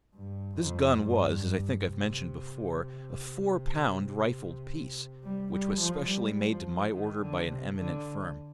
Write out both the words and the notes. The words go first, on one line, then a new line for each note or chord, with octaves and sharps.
This gun was, as I think I have mentioned before, a four-pound rifled piece, which was specially made to my order by an eminent firm.
G2
F2
G2
G2
C3
G3
G3
F3
G3
F3
D#3
D3
C3
D3